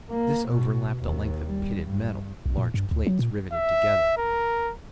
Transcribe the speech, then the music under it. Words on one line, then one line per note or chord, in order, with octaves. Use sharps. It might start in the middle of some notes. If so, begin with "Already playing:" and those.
This overlapped a length of pitted metal, large plates riveted together.
A#3
B2
D#2
G3
G2
B1
A#2
G2
D2
F#3
A#2
E5
A#4